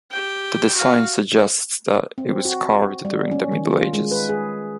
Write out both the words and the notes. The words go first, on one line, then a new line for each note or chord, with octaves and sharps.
The design suggests that it was carved during the Middle Ages.
G4 G5
F#4 F5
C4
F#4
G3
C#4
D#3
F4
G#3
B4
G#4